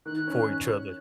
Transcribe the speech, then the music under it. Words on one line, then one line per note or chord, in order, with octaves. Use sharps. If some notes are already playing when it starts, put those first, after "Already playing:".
for each other
D#3 F#6
C#4